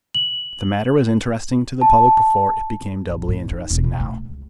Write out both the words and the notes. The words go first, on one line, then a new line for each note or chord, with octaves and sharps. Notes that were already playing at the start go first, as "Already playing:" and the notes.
If the matter was interesting to the public before, it became doubly interesting now.
F#7
A5
A1
A2
D#4
E1
A#2
A3
C#2